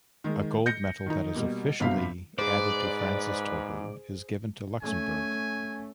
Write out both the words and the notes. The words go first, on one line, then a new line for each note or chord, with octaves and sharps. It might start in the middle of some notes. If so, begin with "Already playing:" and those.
A gold medal that is officially added to France's total is given to Luxembourg.
D#3 G#3
G6 A#6 C#7
D#3 D#4
B2 G3 A#3
G1 G2 C3 F#3 F5 B6
G#2 G#4 B4 C5 D5
A3 C#4 G#5